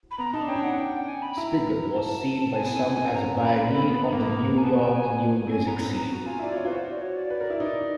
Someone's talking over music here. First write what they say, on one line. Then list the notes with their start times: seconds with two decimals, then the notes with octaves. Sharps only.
Spiegel was seen by some as a pioneer of the New York new-music scene.
0.11 B5
0.18 B3 A#5
0.33 D#4 A5
0.41 D4
0.48 C#4 G5
0.56 D4
0.63 F#5
0.78 G5
1.08 G#5
1.22 B5
1.37 E4 A#5
1.67 A#5
1.96 A5
2.56 B3 G#5
2.66 B3
2.76 C4
3.05 C4
3.15 C#4 A#5
3.45 B5
3.75 C4
3.89 B3
4.04 B3 A#5
4.12 A#3
4.29 A#3
4.58 G#5
4.63 B3 A5
4.84 G5
4.93 G#5
5.47 C4
5.52 C#4 G#5
5.67 B3 A#5
5.82 C4
5.97 C4 A#5
6.12 F#4 A#5
6.26 F4 G#5
6.39 E4 D5
6.54 F4
6.57 C#5
6.65 F4 B4
6.71 F#4 C5
6.92 D5
7.01 C#5
7.16 D5
7.30 B4
7.41 A#4
7.50 E4
7.60 D#4